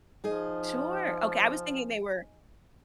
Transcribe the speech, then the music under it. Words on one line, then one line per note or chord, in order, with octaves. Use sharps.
Sure, okay, I was thinking they were
F3 D#4 G#4 D#5